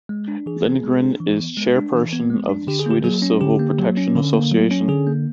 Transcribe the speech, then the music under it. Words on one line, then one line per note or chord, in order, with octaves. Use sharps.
Lindgren is chairperson of the Swedish Civil Protection Association.
G#3
D4
E3 G#4
B3
G#3
D4
E3
B3
G#3
D4
E3
B3
G#3
D4
D3 G4
G#4
A#3 G4
F#3 G#4
C#4
D3 G4
A#3
F#3
C#4
D3
A#3
F#3
C#4
D3 G#4
A#3